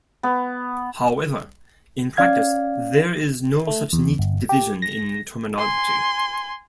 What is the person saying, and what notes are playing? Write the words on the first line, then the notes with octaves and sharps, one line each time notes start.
However, in practice, there is no such neat division in terminology.
B3
C#4 D5 F5 G#6
A3
E2
G1
G4
A#6
G#5 C6